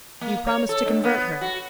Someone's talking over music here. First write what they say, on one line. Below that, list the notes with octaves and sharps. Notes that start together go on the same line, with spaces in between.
"You promise to convert her?"
A#3
C#5
A4
G2
B3
F#4